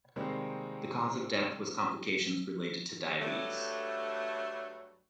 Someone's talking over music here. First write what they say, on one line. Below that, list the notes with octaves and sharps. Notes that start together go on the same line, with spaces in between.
The cause of death was complications related to diabetes.
C3 D#3 G3 G#3 A#3 C4
G2 F#3 A3